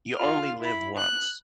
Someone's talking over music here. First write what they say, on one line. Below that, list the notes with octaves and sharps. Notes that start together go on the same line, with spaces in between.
"You only live once,"
F4 F6
E4 B5
F#6